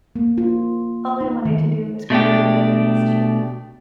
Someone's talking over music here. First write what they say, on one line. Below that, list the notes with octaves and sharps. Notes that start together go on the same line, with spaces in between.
All I wanted to do was create a bit of mischief.
A#3
F4
D#4
D#3
B2 A3 D4 G4